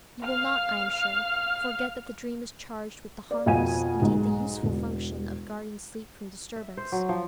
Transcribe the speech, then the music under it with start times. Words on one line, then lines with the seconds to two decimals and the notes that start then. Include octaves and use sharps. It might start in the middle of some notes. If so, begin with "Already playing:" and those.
You will not, I am sure, forget that the dream is charged with the harmless, indeed the useful function of guarding sleep from disturbance.
0.24 F5 F6
3.31 D5
3.46 F2 B2 F5 G#5 D#7
4.02 B1 G#2
4.63 E1
6.56 E5
6.77 C5
6.92 F#3
7.09 F3